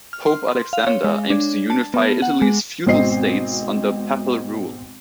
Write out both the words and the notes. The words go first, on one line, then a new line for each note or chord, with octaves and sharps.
Pope Alexander aims to unify Italy's feudal states under papal rule.
F6
C6
F5
C#5
G#3
D4
A5
B3
F#5
G#3
G#1 B2 C4 D#5 C7